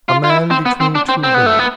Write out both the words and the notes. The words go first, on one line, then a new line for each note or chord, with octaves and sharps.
A man between two women.
F4
F4
E4
C4
B3
C4
D4
C4
C4
B3
A3
B3